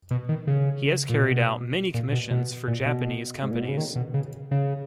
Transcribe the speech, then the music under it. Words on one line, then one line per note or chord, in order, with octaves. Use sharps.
He has carried out many commissions for Japanese companies.
B2
D#3
C#3
A#2
B2
A#2
B2
B2
A#2
B2
G#2
A#2
B2
C#3
D#3
B2
C#3
C#3